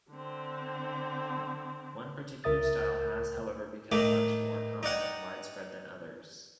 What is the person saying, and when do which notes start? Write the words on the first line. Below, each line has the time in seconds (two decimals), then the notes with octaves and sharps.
One particular style has, however, become much more common and widespread than others.
0.11 D3 C4
2.44 C#2 A#4 E5 D#6 A6
3.92 A2 D#3 A3 D#4 D6
4.83 D#4 D5 F#5 G5